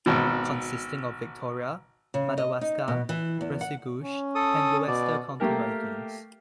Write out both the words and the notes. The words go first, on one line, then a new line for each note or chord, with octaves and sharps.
Consisting of Victoria, Madawaska, Restigouche and Gloucester county ridings.
G#1 B2
C#3
D#5
D#4
B2
E3
E2
F#5
C#4
A4 D#6
B2 D5
A3 A#3 G4 A#4